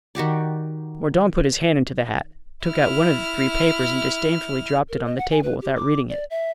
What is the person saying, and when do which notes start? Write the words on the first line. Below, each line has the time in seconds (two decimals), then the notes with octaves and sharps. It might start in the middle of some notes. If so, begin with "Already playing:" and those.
Mordaunt put his hand into the hat, took out one of the three papers and disdainfully dropped it on the table without reading it.
0.15 D#3 F#4 G4 D5
2.67 E4 F6
4.89 A#4
5.05 D#5
5.18 F#5
5.31 G#5
5.43 B4
5.62 G4
5.75 D6
6.09 D5
6.30 E5